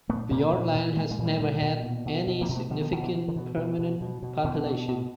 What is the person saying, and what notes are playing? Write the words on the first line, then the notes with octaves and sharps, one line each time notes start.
Fiordland has never had any significant permanent population.
A#2 A3 B3
A#2 A#3 C4
A#2
A#2
A#2 G#3 A#3
G#3 A#3
A#2
G3 A3
A#2
A#2
B2
B2
B2
A#3 C4
B2
A3 B3
B2 F3 G3
D#3 F3
B2 D#3
D3 E3
B2 D#3
D3
B2
B2
B2
B2
B2
B2 D3 E3
B2
B2